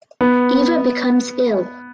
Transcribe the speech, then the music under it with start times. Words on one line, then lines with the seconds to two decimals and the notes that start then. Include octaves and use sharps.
Eva becomes ill.
0.21 B3